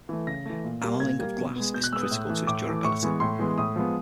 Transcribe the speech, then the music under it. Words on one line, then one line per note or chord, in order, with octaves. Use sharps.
Annealing of glass is critical to its durability.
E3 A3
C#3 A#6
E3 A3
A#2
G3 A#3
A#2 G#6
G3 A#3
B2
G#3 B3
B2 G6
F#6
G#3 B3 E6
D#6
A2
E3 A3
A2 D6
E3 A3
A2 C#6
E3 G#3 B3
A2 C6
E3 G#3 B3
A2 D#6
F3 G#3 B3